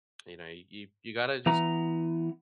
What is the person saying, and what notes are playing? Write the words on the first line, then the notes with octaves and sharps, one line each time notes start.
you know, you you gotta just
E3 B3 A#5